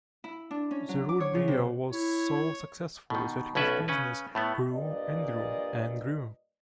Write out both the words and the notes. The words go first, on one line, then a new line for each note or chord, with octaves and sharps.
The root beer was so successful, that his business grew, and grew, and grew!
E4
D4
C#4
F#3
D6
C#5
C#3
C3
E4 C#5
B2 D#3
B1 B2 C#4 B4 D5 E5
C#3 C#4 B4
A2 A3 B3
G2 A#2 B4 D5 D#5